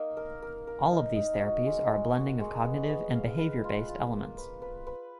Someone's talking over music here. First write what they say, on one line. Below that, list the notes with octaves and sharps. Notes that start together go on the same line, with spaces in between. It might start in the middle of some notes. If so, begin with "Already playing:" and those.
All of these therapies are a blending of cognitive- and behavior-based elements.
Already playing: A#3 D#4
A#4
A#4
A#4
D#4
D#4
F#4
G#3
G#3
F#4
G#3
B3
B3
F5
B4
F4
F4
A#3
B4
B4
B4